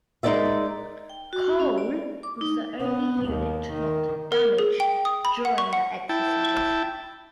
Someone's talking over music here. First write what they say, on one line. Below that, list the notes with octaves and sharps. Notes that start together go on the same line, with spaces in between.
"Cole" was the only unit not 'damaged' during the exercise.
G#3 D#4 A#4 D5 E5
G5
F#4
C#4
D5
D6
D#4
B3
D#2
D#3
A#4
G#4
G5
D#6
B5
F#5
C#6
F#5
E4 G5 A5